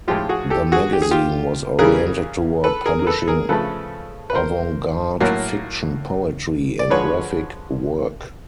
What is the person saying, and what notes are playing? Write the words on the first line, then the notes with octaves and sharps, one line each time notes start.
The magazine was oriented toward publishing avant garde fiction, poetry, and graphic work.
A2 F3 G#3 F4 G4
F#4 G#4
G4 A4
F#4 G#4
G4
G#4
F4 G4
C#3 E3 G3 G#4 A#4
A4 B4
G#4 A#4
A#4
A4 B4
G#4 A#4
C#3 F3 A3 A4 B4
B4
A#4 C5
A2 F#3 A#3
D5
D3 F3 G#3 B4 C#5